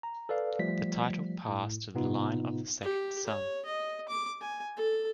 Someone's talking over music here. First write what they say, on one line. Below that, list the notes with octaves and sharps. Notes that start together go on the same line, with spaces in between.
The title passed to the line of the second son.
A#5
A4 B4 D5 F5
F3 G3 A3 B6
A2
A2 C3 B3 D#4 F4
G4
C#5
D#5
D6
G#5
A4